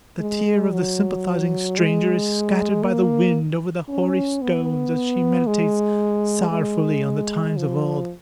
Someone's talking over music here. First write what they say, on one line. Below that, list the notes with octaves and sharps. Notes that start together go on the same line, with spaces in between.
The tear of the sympathising stranger is scattered by the wind over the hoary stones as she meditates sorrowfully on the times of old!
G#3
F#3
G#3
A#3
C#4
B3
G#3
G#3
F3